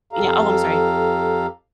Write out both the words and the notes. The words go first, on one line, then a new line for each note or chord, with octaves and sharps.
Yeah Oh, I'm sorry.
F2 G4 A4 F5 A#5